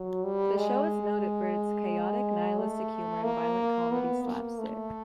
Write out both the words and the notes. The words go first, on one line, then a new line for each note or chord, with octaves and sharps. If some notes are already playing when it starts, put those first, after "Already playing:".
The show is noted for its chaotic, nihilistic humour and violent comedy slapstick.
Already playing: F#3
G3
G#3
A3
A#3
B3
A#3
A3